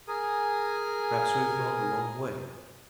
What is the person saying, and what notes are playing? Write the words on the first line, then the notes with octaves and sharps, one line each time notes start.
"Perhaps we have gone the wrong way."
G#4 A#4 G#5